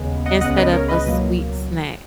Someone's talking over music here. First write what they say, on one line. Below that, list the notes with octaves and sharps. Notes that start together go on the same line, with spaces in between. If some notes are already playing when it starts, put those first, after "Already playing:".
instead of a sweet snack,
Already playing: D#2 C#3 G#3 B3
D#5 F#5
C#2 C#3 G#3 B3 D#5 F#5
B4 D#5
A#4 C#5
B4 D#5
C#2 B2 F#3 A#3